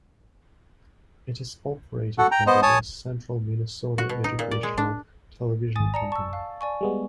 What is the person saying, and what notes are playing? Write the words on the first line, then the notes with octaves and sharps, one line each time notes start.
It is operated by the West Central Minnesota Educational Television Company.
F#4 A4 F#5
G5 A#5
B3 C5 D#5
C#5 G#5 A5 D#6
F#4
B2
D#4
A#2
D5
G#3
D4
G#1 G#5 D#6 A6
D5 A5 A#5 C#7
A5 C#6 E6
F5
D5 G#5 C#6
G3 G#3 B3